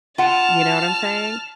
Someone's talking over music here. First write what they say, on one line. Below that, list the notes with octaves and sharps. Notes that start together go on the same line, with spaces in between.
You know what I'm saying?
F4 F#5 A5 F6